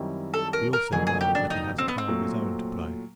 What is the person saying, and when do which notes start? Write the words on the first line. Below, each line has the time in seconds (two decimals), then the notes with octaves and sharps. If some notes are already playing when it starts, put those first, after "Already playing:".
We also know, that he has a card of his own to play.
Already playing: F#2 D#3 G3 C4 E4
0.34 A4
0.53 A#4
0.73 A#4
0.92 F1 F2 D3 F#3 A#3 G#4
1.07 G#4
1.21 G4
1.35 D4
1.50 D#4
1.78 C4
1.88 B3
1.98 C4
2.08 A#2 F#3 A3